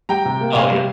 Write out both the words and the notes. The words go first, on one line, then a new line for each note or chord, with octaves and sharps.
Oh, yeah.
G3 G5 A#5
C3
A#3
C3 F5 G#5
G3